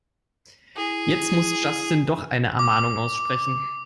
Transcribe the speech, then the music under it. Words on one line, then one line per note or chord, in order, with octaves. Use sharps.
Jetzt muss Justin doch eine Ermahnung aussprechen.
E4 G#4
D6